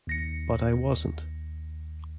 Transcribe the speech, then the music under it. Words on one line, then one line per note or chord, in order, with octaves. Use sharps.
But I wasn't.
D#2 A#6 C#7